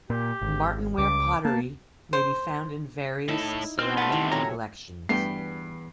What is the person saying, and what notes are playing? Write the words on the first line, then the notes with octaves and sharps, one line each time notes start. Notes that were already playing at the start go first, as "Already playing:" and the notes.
Martinware pottery may be found in various ceramic collections.
A#2 G4
G#1
C#2 D6
A#3 A5
C5
A2 D#4 E4 A4
C4 D#5 C6 F6
A#2 A3 B4 F#5 A5
E2 C3 D#3 E4
A#2 F#3 A3 G4 C#5 A#5
E2 G2 A3 B3 B4 G5 C7